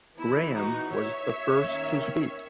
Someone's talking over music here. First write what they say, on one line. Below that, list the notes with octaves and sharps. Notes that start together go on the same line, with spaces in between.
Graham was the first to speak.
E3 B3 E4
D#4 F#4
C#5 E5
D#3 A#3 C#4